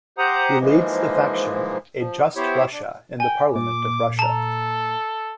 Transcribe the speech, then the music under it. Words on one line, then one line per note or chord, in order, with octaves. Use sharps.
He leads the faction A Just Russia in the Parliament of Russia.
G4 C5 F#5 A#5 D#6
G#2 E3 F3 G#3 A#3
F3
B3 E4 G4 C5 C#5
D4
G5 G#5
A#2 D6
A4 A5 A#5